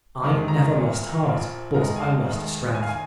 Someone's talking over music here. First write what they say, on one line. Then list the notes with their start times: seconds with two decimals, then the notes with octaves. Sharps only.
I never lost heart, but I lost strength.
0.22 F2 C3 D#3 G#3
0.48 A#5
0.74 C2 A#2 A#3
1.23 A#1 A#2 F3 A#3
1.74 F1 D#2 D#3 G#3 A#5
1.96 G#5
1.99 F5
2.25 F1 D#2 D#3 G#3
2.75 F1 D#2 D#3 G#5
2.83 F5
2.89 G#5